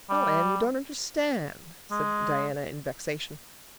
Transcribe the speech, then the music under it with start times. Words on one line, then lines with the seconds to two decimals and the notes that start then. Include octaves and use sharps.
"Oh, Anne, you don't understand," said Diana in vexation.
0.10 G3
1.91 G#3